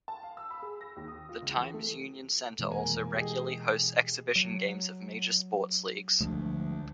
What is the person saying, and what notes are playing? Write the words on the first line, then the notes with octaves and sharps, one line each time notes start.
The Times Union Center also regularly hosts exhibition games of major sports leagues.
A5
F5
E6
B5
G#4
A#6
D#2
D#6
F4
C#2
E3
A3
B2 E3 G#3
F1 A#3 G#5
G4 G#4 D#5
F#3
D2 D3 F3 G#3